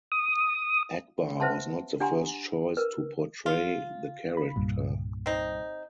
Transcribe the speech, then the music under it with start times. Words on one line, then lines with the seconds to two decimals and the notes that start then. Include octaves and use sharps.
Akbar was not the first choice to portray the character.
0.12 D#6
1.40 B4 C5 E5 F#5 A5 C6
2.00 D4 G4 F#5 G#5 A#5 C6
2.77 A#4 B4
3.46 F4
4.37 B5
4.56 C2 G2 A#2
5.26 C4 D#4